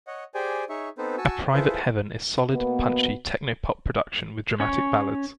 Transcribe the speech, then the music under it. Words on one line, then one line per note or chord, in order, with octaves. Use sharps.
A Private Heaven is solid, punchy, techno-pop production with dramatic ballads.
C#5 D#5 F#5
G4 G#4 C5 D5 G5 G#5
D#4 G#4 C#5 E5 C#6
B3 C4 D#4 A4 B4 C5
F#4 G#5 A5 C#6 E6
E4 F4 G#4 A4 B4 C5
B2 A#3 B3
C#4 C#5